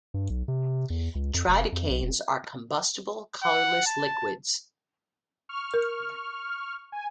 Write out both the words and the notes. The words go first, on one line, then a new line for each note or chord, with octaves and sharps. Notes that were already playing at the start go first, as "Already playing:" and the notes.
Tridecanes are combustible colourless liquids.
G2
B1
C3
E2
C#2
F2
F1
F2
B1
E1
F#5
A5
C#6 F6
A#4
G#5